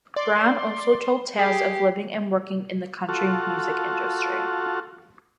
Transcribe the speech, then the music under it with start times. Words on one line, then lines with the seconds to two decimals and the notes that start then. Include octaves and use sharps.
Brown also told tales of living and working in the country music industry.
0.16 D5 C6
1.39 G4 G#4 C7
3.09 F4 F#4 A4